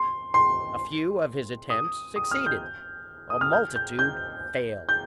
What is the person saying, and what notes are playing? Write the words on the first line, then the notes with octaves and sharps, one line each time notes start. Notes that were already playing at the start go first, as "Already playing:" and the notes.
A few of his attempts succeeded--a multitude failed.
Already playing: C6
C6
D#6
D#6
F6
G6
D#6
F6
G6
G6
G6
G6